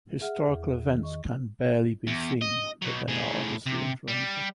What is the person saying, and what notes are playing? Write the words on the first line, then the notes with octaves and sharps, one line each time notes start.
Historical events can barely be seen, but they are obviously influential.
G#4 E5 F#5 F6
E2
D#3
D#5 C#6
E2
D#5
B2 F#3
A2 G#4
C3
G3